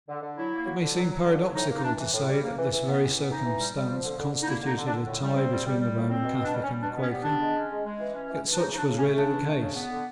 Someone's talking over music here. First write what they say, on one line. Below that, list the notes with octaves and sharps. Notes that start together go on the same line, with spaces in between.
It may seem paradoxical to say that this very circumstance constituted a tie between the Roman Catholic and the Quaker; yet such was really the case.
D3
D3
F#3 E4
A#3
F#3
D3
F#3
F#3
D3
F#3
A2 D#4
A#3
D#4
E3 D4
E3
A2
G3
A#3
E3
E3
B3
E3
B3
E3 D#4
E3
G3
G3
F3
D3
D3
D3
D#4
A#3 E4
D3 D#4
D3
D4
D3
A2
G3
C4
G3
G3
G3
A2
C4
B2
B2
D4
G3
C#4
G3
B2 D4
B3 C#4
G3
D4
B3
G#3
C#4
G#3
G#3
E3
C#4
E3
E3
D4
C#3 D#4
C#3 D#4
D4
C#3
C#4
A3
C#3 D4
E3
A3
C#3
B3
D3